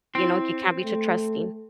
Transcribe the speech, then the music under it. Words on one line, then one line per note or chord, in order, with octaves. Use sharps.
you know, you can't be too trusting.
C4 E4
A3